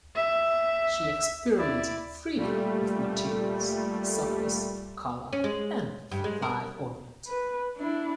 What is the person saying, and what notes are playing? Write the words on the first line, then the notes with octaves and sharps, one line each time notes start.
She experimented freely with materials, surface, color and applied ornament.
E5
E4 D5
A#2 G3 A3
C#4
G#3
G2
G#3
A#4
B4
D4 E4